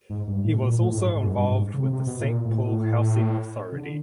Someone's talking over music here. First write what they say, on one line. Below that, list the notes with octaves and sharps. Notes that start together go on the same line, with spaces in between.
He was also involved with the Saint Paul Housing Authority.
G#2
G2
A2
A#2
A2
A2
G#2
G#2
F#2
G2
G#2
C#3
C3
C3
B2
A#2
A2
C#3
D3